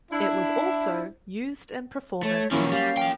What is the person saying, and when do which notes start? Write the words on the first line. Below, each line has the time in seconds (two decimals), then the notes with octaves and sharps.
It was also used in performance.
0.12 D4 E4
2.23 A3 C#5
2.51 D#3 F3 F#3 A#3 C#4 E4
2.71 G3 F5
2.97 F4 G5